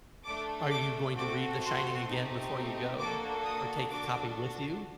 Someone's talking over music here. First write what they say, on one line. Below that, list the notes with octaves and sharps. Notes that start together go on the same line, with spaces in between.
are you going to read The Shining again before you go, or take a copy with you?
A3 D4 A4 D6
D6
A3 C4 F#4 A4 D6
C6
A3 C4 D#4 G4
A#3 D4 F#4 A4 D6
D#6
D4 F#4 A4 D6